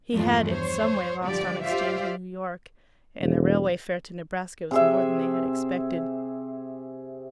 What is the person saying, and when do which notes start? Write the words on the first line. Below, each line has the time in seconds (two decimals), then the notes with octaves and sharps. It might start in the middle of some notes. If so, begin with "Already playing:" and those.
He had in some way lost on exchange in New York, and the railway fare to Nebraska was more than they had expected.
0.13 E2 G2 F3 A3 F4
0.49 C5 C#5
1.25 D3 F3 G3 G4 D5
1.64 F4 G4 C5 D5 E5 F5
3.21 E1
4.71 C3 G#4 E5